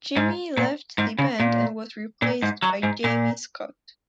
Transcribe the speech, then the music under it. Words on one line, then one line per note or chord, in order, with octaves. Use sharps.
Jimi left the band and was replaced by Jamie Scott.
G#2
A#2
G#2
C#3
A#2
A#2
G#2
F#3
G#2
A#2